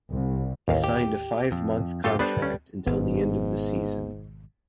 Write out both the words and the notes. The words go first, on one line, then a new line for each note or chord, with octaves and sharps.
He signed a five-month contract until the end of the season.
C2
A1 D#2 F5
G4
F2
F#2 A3 F4 G4 A4
G3 B3 D4 A4 B4 C5
C#4
G#1 G#2 B2 B3